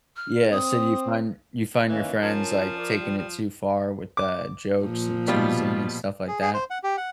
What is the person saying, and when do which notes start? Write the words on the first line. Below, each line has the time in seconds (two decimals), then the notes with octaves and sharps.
Yeah, so do you find you find your friends, like, taking it too far with the jokes and teasing and stuff like that?
0.16 F6
0.51 C4 D#6
1.89 D#3 E3 A#3 C#4
2.22 F3 C#4 A#4 A5
2.77 A#4 D5
2.96 G3
3.18 F3
4.17 D6
4.80 A#2 F3
5.27 B2 G3 F4
6.28 G#4
6.41 G#4
6.54 C5
6.70 F#5
6.84 G4
6.97 F#5